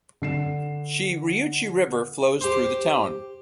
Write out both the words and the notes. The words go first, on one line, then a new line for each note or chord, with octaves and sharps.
Shiriuchi River flows through the town.
D3 C7 E7
G4 C5